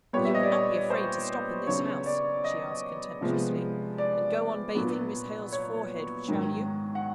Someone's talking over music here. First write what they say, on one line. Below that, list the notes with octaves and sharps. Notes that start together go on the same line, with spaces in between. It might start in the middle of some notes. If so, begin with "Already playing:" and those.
You will not be afraid to stop in this house,' she asked contemptuously, 'and go on bathing Miss Hale's forehead, shall you?
A#2 G3 B3 C#5
E5
D#5
D5
C#5
C5
C#3 F#3 B3 C#5
D5
D#5
C3 F3 G#3 B3
D5
A#2 F#3 B3
C#5
G#2 D#3 F#3
F#5